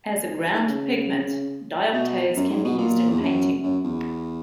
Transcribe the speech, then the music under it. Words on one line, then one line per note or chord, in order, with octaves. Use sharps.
As a ground pigment, dioptase can be used in painting.
D#3
E3
D#3
C#3
B2
F#2
G#2
B2
A#2
E2
F#2
F#2
E2